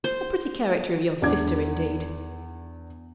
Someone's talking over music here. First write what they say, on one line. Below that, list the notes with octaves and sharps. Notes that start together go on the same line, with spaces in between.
'A pretty character of your sister, indeed!
C5
E2 D4 D6 G#6